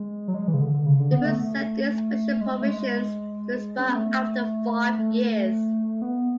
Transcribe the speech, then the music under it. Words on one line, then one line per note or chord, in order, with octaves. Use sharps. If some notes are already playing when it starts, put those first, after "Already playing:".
The bill set these special provisions to expire after five years.
Already playing: G#3
F#3
G#3
E3
C#3
D3
D3
C#3
D3
B3
A3
A3
G#3
A3
G#3
C#4
B3
A3
A3
B3